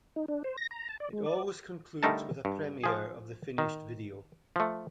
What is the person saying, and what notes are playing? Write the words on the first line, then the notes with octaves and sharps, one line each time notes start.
It always concludes with a premiere of the finished video.
D#4
D4
C5
A#6
A#5
A5
D5
G#3
D5
D3 G3 A3 D#4 A#4 A5
G2
F3 G#4
D#3
F3 A3